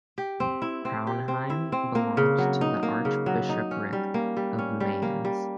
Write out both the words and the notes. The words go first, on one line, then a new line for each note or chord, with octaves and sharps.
Praunheim belonged to the Archbishopric of Mainz.
G4
C4
E4
C4
G4
C4
E4
C4
A#3
C#3
F#3
D#4
A#3
C#3
F#3
D#4
C#4
G3
A#3
G3
C#4
G3
A#3
G3